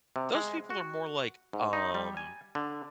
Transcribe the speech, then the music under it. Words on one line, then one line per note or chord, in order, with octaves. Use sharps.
Those people are more like, um
C3
G#3
F#4
G#2
D#4
G3
G#5
D3